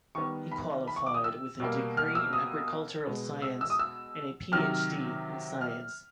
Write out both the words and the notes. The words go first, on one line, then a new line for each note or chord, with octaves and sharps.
He qualified with a degree in Agricultural science and a PhD in science.
D#3 G3 B3 C#6
B5
B5
C#6
D6
D#6
E6
B2 G3 A#3
F6
E6
D#6
B2 G#3 B3
E6
E6
D#6
E6
C3 D#3 F#3 F6
F6